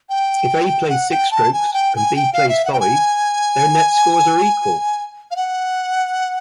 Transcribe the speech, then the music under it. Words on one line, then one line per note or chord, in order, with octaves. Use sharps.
If A plays six strokes and B plays five, their "net" scores are equal.
G5
F#5
G5
A5
G#5
G5
G#5
G5
F5
E5
F#5
G5
G#5
F5
F#5